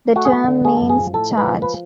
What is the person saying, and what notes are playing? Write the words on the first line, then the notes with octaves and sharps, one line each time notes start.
The term means charge.
A3 F#4
G#4
A3 F#4
D3
A3 G#4
F#2 A4
G#4
F3
A2 A4
G#3
B4
F3
F3 B4